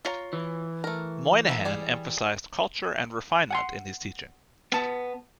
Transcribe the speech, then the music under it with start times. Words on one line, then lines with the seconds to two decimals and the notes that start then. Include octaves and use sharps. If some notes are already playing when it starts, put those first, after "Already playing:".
Moynihan emphasized culture and refinement in his teaching.
0.05 F4 C#5 A#5
0.33 E3
0.84 A3 A#4
1.47 A#3 B3 E5
1.65 G3 G#4 D5
3.51 F#5 G#5 C6
4.72 B3 A5